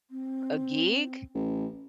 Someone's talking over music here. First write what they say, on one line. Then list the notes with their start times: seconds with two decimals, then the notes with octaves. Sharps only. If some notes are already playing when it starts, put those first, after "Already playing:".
a gig?
0.11 C4
1.35 A1